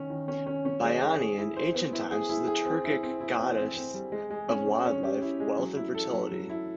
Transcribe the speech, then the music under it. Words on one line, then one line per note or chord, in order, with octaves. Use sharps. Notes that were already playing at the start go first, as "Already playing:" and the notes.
Baianai in ancient times was the Turkic goddess of wild life, wealth and fertility.
Already playing: D#3 C#4
D#3
C#4
C#4
C#4
G#3
G#3
G#4
E4
C5
B3
E4
G#4
E4
G#4
C4
E4
C4
E4
C4
C4
C4
G3
G#3
G#3
C#4
C#4
C#4
G4
E4
G#3
F#3
E4
A4
F#3
F#3
E4